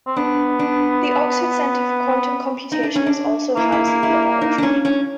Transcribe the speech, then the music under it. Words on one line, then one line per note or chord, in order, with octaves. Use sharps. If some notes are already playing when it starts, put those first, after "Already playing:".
The Oxford Centre for Quantum Computation is also housed in the laboratory.
C4
B3 D4
D4
D#4
D4
C#4
D4
A#3 E4
E4
E4
E4
D#4
D4
C#4
C#4